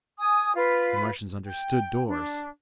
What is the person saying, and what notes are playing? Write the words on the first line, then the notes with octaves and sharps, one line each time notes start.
The Martians understood doors!
G#5 D#6
F4 B4
G5
D4